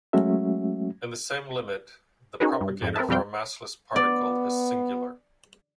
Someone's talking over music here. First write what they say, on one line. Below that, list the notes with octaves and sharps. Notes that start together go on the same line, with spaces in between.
In the same limit, the propagator for a massless particle is singular.
F#3 G#3 A3 C#4 F#4 E5
C#4 D#4 F#4 G#4 A#4 B4
G2
F2 G#2
C4 A#4 B4 E5 A5
F2 B2 G3 C4 F5 G5
B3 D5